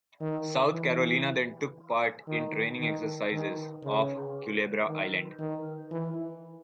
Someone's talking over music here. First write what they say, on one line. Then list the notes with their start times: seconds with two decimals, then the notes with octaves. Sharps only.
"South Carolina" then took part in training exercises off Culebra Island.
0.21 D#3
0.72 E3
2.28 D#3
2.80 D#3
3.32 D#3
3.84 C#3
4.88 D#3
5.39 D#3
5.92 E3